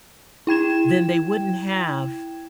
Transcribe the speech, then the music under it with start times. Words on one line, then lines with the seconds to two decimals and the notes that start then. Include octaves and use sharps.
then they wouldn't have
0.47 E4 G5 G#6 E7